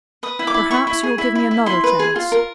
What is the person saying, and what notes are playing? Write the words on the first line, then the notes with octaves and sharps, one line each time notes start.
"Perhaps you will give me another chance?"
B4 D#6
E4
D6
E4
E4 C#6
E4
G#4
E4
E4
E4
E4 C6
B4
G#4
F4
A#4